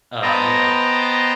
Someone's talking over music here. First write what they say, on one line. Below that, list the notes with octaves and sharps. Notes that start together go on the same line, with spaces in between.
Um, you know.
B3 C5 D#5 G5 A5 A#5